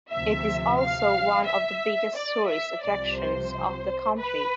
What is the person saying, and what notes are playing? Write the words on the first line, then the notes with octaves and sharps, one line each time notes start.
It is also one of the biggest tourist attractions of the country.
D2 C3 F3 E5
F5
E5
D5
E5
C2 C3 F3 D5
C5
B4